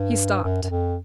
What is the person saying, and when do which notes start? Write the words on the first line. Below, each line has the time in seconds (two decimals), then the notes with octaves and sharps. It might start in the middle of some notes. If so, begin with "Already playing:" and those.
He stopped.
Already playing: G2
0.44 F#2
0.63 F#2
0.70 F2